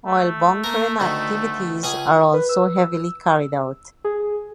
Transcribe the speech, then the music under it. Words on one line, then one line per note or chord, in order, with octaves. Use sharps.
Oil bunkering activities are also heavily carried out.
A3
A#3 A#4
D2 D3 D#3
C#2 C#4 G#4
B4
E6
G#4